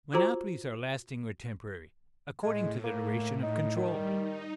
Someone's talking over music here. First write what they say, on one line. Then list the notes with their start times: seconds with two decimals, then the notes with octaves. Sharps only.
Monopolies are lasting or temporary, according to the duration of control.
0.13 F4 F#4 A4 C5 A#5 D6
2.43 A2 G#3
2.84 A#3
3.43 D#4
3.77 D#3 G3
4.18 D#4